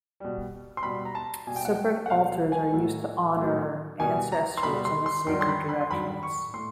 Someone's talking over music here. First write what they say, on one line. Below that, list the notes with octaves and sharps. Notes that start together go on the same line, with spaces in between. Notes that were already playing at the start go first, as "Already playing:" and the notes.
Separate altars are used to honor ancestors and the sacred directions.
B2 G3
C6
B2 G3 B5
A#5
A5
B2 G3 G#5
G5
F#5
G5
F#5
B2 G3 F5
G#5
A2 F#3
A2
F#3
B2 G3 G#5
A#5
C6
B2 G3 B5
C6
C6
G2 D#3 F#3 C6
C6
B5
B5
C6
G2 D#3 F#3 B5
C#6
A2 C6